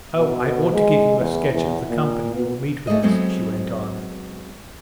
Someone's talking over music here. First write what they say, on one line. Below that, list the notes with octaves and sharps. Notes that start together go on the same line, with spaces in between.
"Oh, I ought to give you a sketch of the company you will meet with us," she went on.
B2
G#3
E2
E2
A#2
B3
A3 A#3 G#4 D5 D#5
F#3 G#3 B3 C4 A4 C5